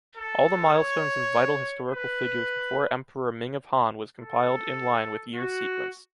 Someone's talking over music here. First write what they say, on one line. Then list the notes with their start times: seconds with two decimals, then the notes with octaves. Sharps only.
All the milestones and vital historical figures before Emperor Ming of Han was compiled in line with year sequence.
0.17 A4
0.73 C#5
1.89 B4
4.20 A4
5.35 F#4